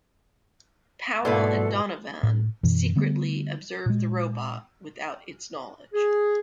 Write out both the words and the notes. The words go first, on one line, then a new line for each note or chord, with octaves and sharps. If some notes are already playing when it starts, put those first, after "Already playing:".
Powell and Donovan secretly observe the robot without its knowledge.
G#2 B2 A#3 E4 A4 B4 D5 F#5
A2
F#2 B2 E3
D3 G3 A3 B3
A#2 G#3
G#4